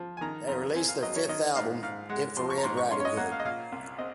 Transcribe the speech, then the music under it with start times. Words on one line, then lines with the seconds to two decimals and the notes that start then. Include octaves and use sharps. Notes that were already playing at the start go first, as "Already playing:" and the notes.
They released their fifth album "Infrared Riding Hood".
Already playing: F3
0.17 G#5
0.21 D#3 A#5
0.48 F2 A#5
0.75 C4 G#5
0.88 F5
1.03 F#3 D#5
1.16 C#5
1.29 D#3 D#5
1.55 G#2 F5
1.83 G#2 F5
2.10 G#3 F#5
2.36 F3 C6
2.50 C#6
2.58 A#5
2.63 G#2 C6
2.77 C#6
2.91 C#4 C6
3.00 C#5
3.05 D#5
3.17 A#3 F#5
3.32 F5
3.40 D#5
3.45 A#2 F5
3.72 C2
3.99 C4 D#5